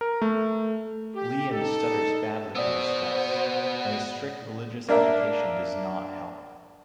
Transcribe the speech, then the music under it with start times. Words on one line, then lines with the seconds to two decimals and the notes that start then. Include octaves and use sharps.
Liam stutters badly under stress, and his strict religious education does not help.
0.01 A#4
0.22 A3
1.15 G4
1.52 D#4 A4
2.55 B3 F#4 C5 D5 D#6 E6
4.89 A#3 D4 A#4 E5